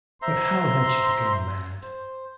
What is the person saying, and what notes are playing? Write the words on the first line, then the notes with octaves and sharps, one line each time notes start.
But how had she become mad?
C5 E5 A#5 C6
C5